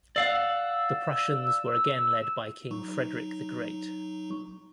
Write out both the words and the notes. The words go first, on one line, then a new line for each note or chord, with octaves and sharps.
The Prussians were again led by King Frederick the Great.
D5 F5 F#5 E6
F#3 D#4 C#6